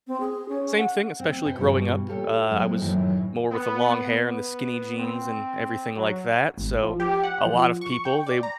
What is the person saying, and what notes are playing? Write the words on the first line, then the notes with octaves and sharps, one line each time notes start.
Same thing, especially growing up, uh, I was more with the long hair, and the skinny jeans, and everything like that, so a lot of people, they
C4
G#4
C#4
F#5
C4
B4 C5 F#5 G#5
G2 B2 E3 G3 F#4
F4 G4 A4 C#5
F#3 G#3 A#3 C4
F#2 A2 D#3 E3 F#3 E4
B3
B3
C4
F#3
G#1
F3
G4
F#5
F3
C#6
G5
D5
A#5